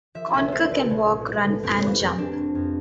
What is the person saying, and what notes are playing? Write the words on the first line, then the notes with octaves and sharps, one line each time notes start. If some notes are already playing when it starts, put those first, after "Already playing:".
Conker can walk, run, and jump.
F3 E5
B1 E5
B1 C5
B1 B4
B1
A2
A2
B1
F1 C4
F1 B3
F1 C4
F1 D4
F1
F2